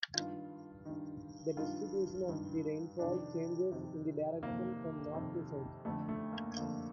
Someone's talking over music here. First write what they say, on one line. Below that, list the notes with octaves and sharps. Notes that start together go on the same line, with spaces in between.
The distribution of the rainfall changes in the direction from north to south.
G2 D#3 F4
G2 D#3
G2 D#3 F4
G2 D#3
F2 C3 D#3 D4
F2 C3 D#3
F2 C3 D#3 A#3
F2 C3 D#3
F2 D3 A3
A3
A#3
F2 D3 A#3